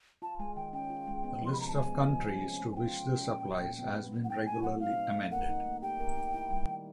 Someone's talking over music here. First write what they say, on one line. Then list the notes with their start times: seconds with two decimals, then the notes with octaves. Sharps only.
The list of countries to which this applies has been regularly amended.
0.22 F4 A5
0.39 G#3 G#5
0.56 D#3 G5
0.73 C#4 G5
0.90 F4
1.07 G#3
1.24 B3
1.42 F3 C6
1.53 B5
1.58 C3 A#5
1.68 A5
1.75 G#3 G#5
1.91 B3
2.09 F3
2.25 G#3
2.43 C#4
2.60 G#3
2.72 G#5
2.76 F4 G5
2.94 G#3
3.11 C#4
3.28 A#2
3.45 F#3
3.62 A#2
3.79 B3
3.96 A#2
4.12 F#3
4.24 F#5
4.30 D#4 G5
4.46 A3 G#5
4.63 F#3 F#5
4.80 C4 F5
4.98 D#4
5.15 A3
5.31 A#4 F#5
5.49 D#4
5.66 A#3
5.82 G4 G5
6.00 A#4
6.17 D#4
6.34 E4
6.50 G3
6.67 D#3